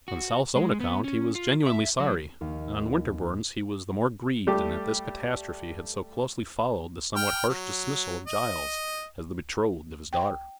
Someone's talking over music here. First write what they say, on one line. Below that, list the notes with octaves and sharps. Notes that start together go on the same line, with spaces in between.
On South's own account he was genuinely sorry; and on Winterborne's he was the more grieved in that this catastrophe had so closely followed the somewhat harsh dismissal of Giles as the betrothed of his daughter.
F#4
G#3
B3
C#4
F4
E5
F#3
D#2 F5
G3 A3 G4
G5 F6
F#3
D#5
G5